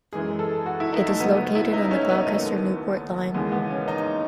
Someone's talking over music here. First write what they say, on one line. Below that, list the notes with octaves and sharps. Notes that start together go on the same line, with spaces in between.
It is located on the Gloucester-Newport line.
F#2 E3 G#3 G#4
A4
F#4
E4
D#4
A3
C#2 C#3 F#3 A3 B3
B3
E4
D#4
C#4
B3
D#2 D#3 F#3 A3
D#2 C#3 E3 G#3 B3
B3
C#4
D#4